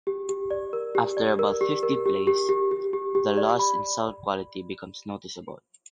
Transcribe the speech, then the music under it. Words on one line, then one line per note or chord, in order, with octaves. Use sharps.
After about fifty plays the loss in sound quality becomes noticeable.
G4
G4
D5
A#4
G4
D5
A#4
G4
A#4
G4
G4
G4
G4
G4
G4
D5
B5